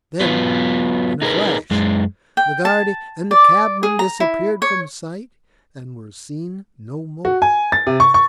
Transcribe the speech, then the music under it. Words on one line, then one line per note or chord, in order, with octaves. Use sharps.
Then in a flash the guarde and the cabman disappeared from sight and were seen no more.
F#3 B3 F4 B4
D#4 G#4 A#4 B4
F#2 G#3
G5
A5
D5
G#4
A#5
E4
C#5
F#4
G#5
A6
C3
C#6
C#6